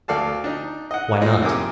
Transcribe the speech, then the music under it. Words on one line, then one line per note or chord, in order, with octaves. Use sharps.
Why not?
D2 A4 D5 F5 A5
D4 D#4
D#5 F#5
A#2 G#3 D#4
A#1 C3 A#4 G#5 D6